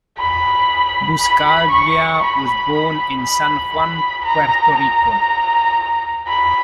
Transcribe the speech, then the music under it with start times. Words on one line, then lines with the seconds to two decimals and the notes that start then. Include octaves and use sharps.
Buscaglia was born in San Juan, Puerto Rico.
0.18 B5
1.20 B5
1.71 C#6
2.22 B5
2.72 B5
3.22 B5
3.73 B5
4.24 A#5
4.74 A#5
6.27 B5